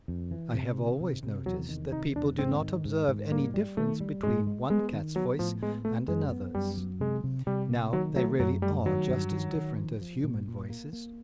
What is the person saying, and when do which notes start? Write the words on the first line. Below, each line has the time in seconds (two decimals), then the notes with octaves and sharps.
I have always noticed that people do not observe any difference between one cat's voice and another's; now they really are just as different as human voices.
0.08 F2
0.31 E3
0.54 C3
0.78 D#3
1.01 C3
1.23 C3
1.46 E2 F#3
1.69 D#3
1.92 C3 D#4
2.16 E2 D4
2.39 G#2 C4
2.62 D#3
2.85 G#2
3.08 G#2
3.31 G3 A#3
3.54 G3
3.77 D#3 A3
4.00 G3
4.23 G#2 G#3
4.47 G#3
4.70 G#3 B3
4.92 D#3
5.16 F#3 B3
5.39 A2 F3
5.62 G#3 B3
5.85 A3 B3
6.08 F#2 G#3
6.32 B3
6.55 F#2 G3
6.78 F#3
7.00 C3 G#3
7.24 C3
7.47 C3 G3
7.70 A#3
7.93 D#3 F#3
8.16 F#3 A3
8.39 F#2 F#3
8.62 G3 A3
8.86 D#3 F#3
9.09 G2
9.31 D#3
9.55 D#3
9.78 F3
10.01 F3
10.24 A#2
10.48 A#2
10.70 A#3
10.93 A#3